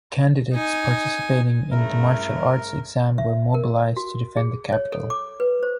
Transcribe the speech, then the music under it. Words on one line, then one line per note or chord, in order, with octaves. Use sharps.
Candidates participating in the martial arts exam were mobilized to defend the capital.
D#4 G#5
G2 C#3 A3 E4 A#4
E5
A#4
F#4
G#4
C#5
A4
D6
B4
C5